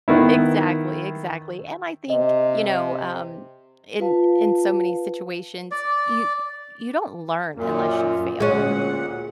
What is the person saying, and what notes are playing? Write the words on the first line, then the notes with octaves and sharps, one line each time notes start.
Exactly, exactly, and I think, you know, um, in in so, many situations, you y you don't learn unless you fail,
D#3 B3 E4
C3 D#5
F4 B4 F5 A5
D5
F#2 A#2
D2 A#2 G#3 C#4 F#5